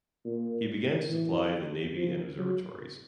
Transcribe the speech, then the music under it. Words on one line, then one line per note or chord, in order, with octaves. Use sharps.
He began to supply to the navy and observatories.
A#2
E3
F3
F#3